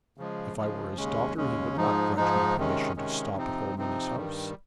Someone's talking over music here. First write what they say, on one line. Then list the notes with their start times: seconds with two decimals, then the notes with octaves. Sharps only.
If I were his daughter he would not grudge me permission to stop at home in his house.
0.18 C#3 F3 G#3
0.57 C#3 F3 G#3
0.97 D#2 C#3 G#3 C#4
1.37 D#2 C#3 G#3 C#4
1.77 G#2 F3 G#3 D#4
2.17 G#2 F3 G#3 D#4
2.56 C3 D#3 G#3 C#4
2.96 C3 D#3 G#3 C#4
3.36 C3 F3 C4 D#4
3.76 C3 F3 C4 D#4
4.16 G2 D#3 G3